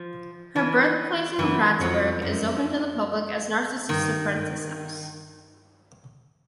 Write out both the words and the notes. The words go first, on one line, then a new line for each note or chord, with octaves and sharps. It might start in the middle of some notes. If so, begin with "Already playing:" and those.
Her birthplace in Prattsburgh is open to the public as the Narcissa Prentiss House.
Already playing: F3
E3
F#2 E3
F2 F#3
F#2 F3
G2 D#3